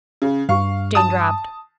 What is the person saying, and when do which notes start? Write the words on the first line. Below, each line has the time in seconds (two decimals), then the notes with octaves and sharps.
Jane dropped.
0.22 C#3
0.49 G2 F5 C#6
0.95 A5 D#6